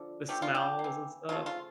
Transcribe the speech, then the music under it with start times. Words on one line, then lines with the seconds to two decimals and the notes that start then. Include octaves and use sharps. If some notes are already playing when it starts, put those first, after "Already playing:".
the smells and stuff?
Already playing: D3 F3
0.29 D3 F3 A3 G4
0.42 F4
0.55 G4
0.79 A#3
0.84 E3
1.29 C#3 F3 A3 F4
1.46 F4